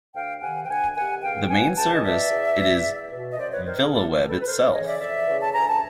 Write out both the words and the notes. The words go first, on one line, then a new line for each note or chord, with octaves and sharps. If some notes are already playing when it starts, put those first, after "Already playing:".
The main service it is VilaWeb itself.
D2 F5 G5
C3 D#3 F#5 G#5
G5
D2 F#5 G#5
C3 D#3 F#5 G#5
C#2 F5 G5
B2 F#5 G#5
C#2 G5 A5
D#5
B2 D5 E5
E2
B2
E2
B2
D#5
F#2 C5 D5
B4 C#5
D#3 A#4 C5
B4
G#4 A#4
F#2 G4 A4
D#3
A4 B4
B4
F2 A#4 C5
C#3 E3 C#5 D#5
D5 E5
F2 D5 E5
C#3 E3
A5
D2 G#5 A#5
A5